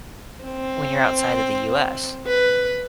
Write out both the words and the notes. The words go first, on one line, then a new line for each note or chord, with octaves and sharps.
when you're outside of the US.
C4
B4